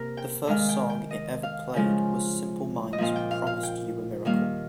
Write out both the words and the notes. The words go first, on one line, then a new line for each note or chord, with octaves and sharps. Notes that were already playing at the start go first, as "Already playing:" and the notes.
The first song it ever played was Simple Minds' "Promised You a Miracle".
Already playing: C3 A#3 A#4
G5
D#3 G#3 F5
G5
G5
D#5
F5
C#3 F3 G#3
D#5
A#2 F3 A#3 F5
G5
F5
F5
G5
D#3 G3 A#3 F5